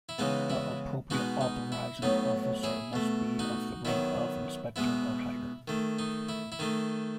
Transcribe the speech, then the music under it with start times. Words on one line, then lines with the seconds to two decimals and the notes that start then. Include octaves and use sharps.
The appropriate authorising officer must be of the rank of Inspector or higher.
0.09 E4
0.18 C#3 E3 G#3 B3 D#4
0.50 E4
1.10 B2 G#3 B3 D#4 F#4
1.41 D#4
1.72 E4
2.02 A2 F#3 B3 D#4
2.63 E4 G#4
2.93 B2 A3
3.39 D#4 F#4
3.85 D#3 F#3 B3 E4
4.76 B2 G#3 B3 E4
5.68 D#3 A3
5.99 D#4
6.29 E4
6.52 E4
6.59 D#3 A3 D#4